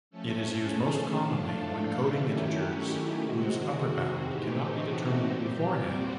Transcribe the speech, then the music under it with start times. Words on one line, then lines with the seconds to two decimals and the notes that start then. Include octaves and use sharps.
It is used most commonly when coding integers whose upper-bound cannot be determined beforehand.
0.11 F3 A3 C#4 A4
0.62 G#4
1.14 A2 F3 A3 D4 F4 A4
2.17 D#3 F#3 A3 C#4 E4 G4
2.69 G4
3.20 C3 D#3 G#3 C4 F#4
4.23 A2 E3 A3 C4 D#4 G4
4.75 F#4
5.26 A#2 G3 C4 G4
5.78 F#4